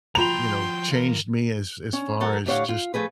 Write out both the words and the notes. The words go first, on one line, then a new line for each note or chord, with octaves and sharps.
you know, changed me as as far as just
F3 F4 F#4 G5 A#5 C6 F7
E3 A#4 F5
C#4
F#3 A4 A#4 F#5
D2 A2 G4 C#5 F5 F#5
F4
F3 A3 G#4 B4